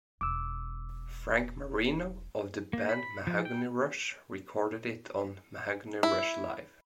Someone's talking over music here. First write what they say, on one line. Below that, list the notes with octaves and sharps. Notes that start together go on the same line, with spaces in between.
Frank Marino, of the band Mahogany Rush, recorded it on "Mahogany Rush Live".
E1 D6 E6
A#3
B5
F3
G5
E4